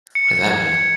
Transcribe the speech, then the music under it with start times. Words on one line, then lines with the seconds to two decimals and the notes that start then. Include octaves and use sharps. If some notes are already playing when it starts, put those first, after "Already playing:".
What does that mean?
0.15 C#7
0.51 G#6